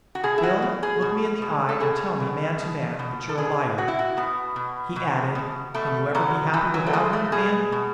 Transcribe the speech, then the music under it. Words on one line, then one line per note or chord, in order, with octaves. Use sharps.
"Bill, look me in the eye and tell me, man to man, that you're a liar!" He added: "Can you ever be happy without her, man?"
F#4
B2 G#4
E4
F#4
B2
G#4
B2
B2
A4
B2 G#4
B2
B2
B2
A4
B2 G#4
B2 F#4
E4
F#4
B2 B3
B2
B2
B2
B2 A3
B2 F#3
B2 E3
F#3
A3
B2 G#3
A3
B2 G#4
B2